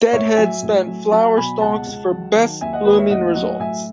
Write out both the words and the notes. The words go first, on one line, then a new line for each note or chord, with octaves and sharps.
Deadhead spent flower stalks for best blooming results.
A2 C#5 E5
F#3 E5 G#5
A2
F#3
F#3 F#5 A5
B2 G#5 B5
C#2 F#5 A5
C#2
F#3
D#3
D#2 E5 G#5
D#5 F#5
D#2 B4 D#5
C#5 E5
A2 D#5 F#5
F#3 D#5 F#5
A2 E5 G#5